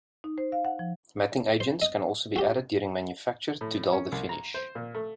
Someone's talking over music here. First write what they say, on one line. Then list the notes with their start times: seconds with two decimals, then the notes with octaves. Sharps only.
Matting agents can also be added during manufacture to dull the finish.
0.24 D#4
0.38 C5
0.52 F5
0.65 F#5
0.79 F3
1.60 C5
1.82 D#5
2.36 F#4 G4
3.61 A2
3.93 C#4
4.12 C2
4.29 A#5
4.54 C5
4.75 A#2
4.95 A3